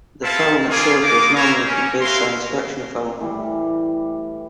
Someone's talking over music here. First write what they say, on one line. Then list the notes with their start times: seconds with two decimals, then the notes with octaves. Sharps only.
The film itself was nominated Best Science Fiction Film.
0.22 C4 E4 F4 A4 F5 A5
0.69 A#3 F4 G#4
1.03 A#3 B3 D#4 F4 D6
1.35 A#3 E4 A#4 C5 C#5
1.65 C#4
2.00 E4 F#4 A#4 F5 C6
3.19 A2 E3 G3